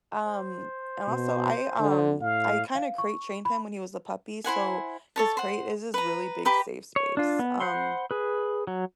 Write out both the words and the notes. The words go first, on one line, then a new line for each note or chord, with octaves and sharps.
Um and, also, I, um I kinda crate trained him when he was a puppy, so his crate is his really big safe space, um,
C5
B2
D3
A2 F5
F5
C#6
B5
E4 C5 F#5 G#5
A4 C#5 A5
C5 F#5
B4 A#5
G4 B4 G5 A#5
C#5
D4 F4
B3
C5 F#5 B5 C6
G#4 B4
F#3